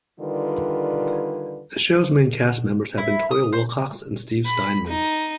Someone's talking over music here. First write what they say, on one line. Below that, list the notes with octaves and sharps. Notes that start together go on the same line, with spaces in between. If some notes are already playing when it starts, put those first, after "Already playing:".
The shows main cast members have been Toyah Willcox and Steve Steinman.
D3 D#3 G3 F4 B4
E4
D#6
C5
B5
D#4